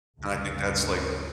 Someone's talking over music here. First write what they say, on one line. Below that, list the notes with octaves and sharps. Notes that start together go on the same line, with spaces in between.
And, I think that's like
G1 D2 C#3